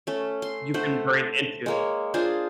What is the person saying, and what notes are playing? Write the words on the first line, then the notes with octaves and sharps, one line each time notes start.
you can bring into
A3 C#4
C6
A3 C5 F#5
G#3 A#3 C#5
D4 F4 G#4 C5